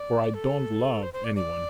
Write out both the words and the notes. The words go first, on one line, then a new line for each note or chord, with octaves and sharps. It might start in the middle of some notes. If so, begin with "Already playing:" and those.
For I don't love any one.
Already playing: D5
A4
C5
C5
D5
D5